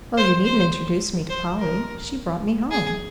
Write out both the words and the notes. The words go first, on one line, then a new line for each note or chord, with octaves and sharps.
"Oh, you needn't introduce me to Polly--she brought me home!"
C5
C5
C5
A#4
G#4